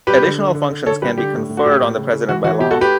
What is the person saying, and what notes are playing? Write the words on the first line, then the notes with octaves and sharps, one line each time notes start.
Additional functions can be conferred on the President by law.
G3 G4 B4
D3
D3
D3
D3
D3 A4 C#5
G3 G4 B4
D3 G4
A2
A2
F#4
A2 G4
A2
C#3
C#3
E3 F#4
E3 F#4
B2 G4
F#4 A4
A3
G4 B4